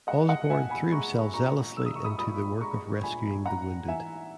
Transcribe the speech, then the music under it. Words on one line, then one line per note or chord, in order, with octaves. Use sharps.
Osborne threw himself zealously into the work of rescuing the wounded.
G#3 D#5 F#5
D#5 F#5
A#2 E5 G#5
G#5 B5
G#3 A#5 C#6
A#2 A#5 C#6
G#3 E6
D#6
C#6
B5 D#6
A#2 B5 D#6
G#3 A#5 C#6
A#2 G#5 B5
G#2 F#5 A#5
E3 E5 G#5